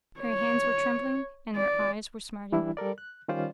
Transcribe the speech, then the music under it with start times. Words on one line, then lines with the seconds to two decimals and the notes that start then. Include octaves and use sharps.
Her hands were trembling and her eyes were smarting.
0.21 C#5
1.56 D5
2.52 E3 G3 D4 E4
2.77 G3 A4 A#4 D5
2.98 F#6
3.28 D#3 G3 C#4 F4 C5 D5